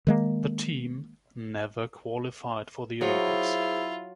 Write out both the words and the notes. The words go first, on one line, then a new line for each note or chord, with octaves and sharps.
The team never qualified for the Olympics.
D#3 G#3 A#3
F#3 E4 F4 G#4 C5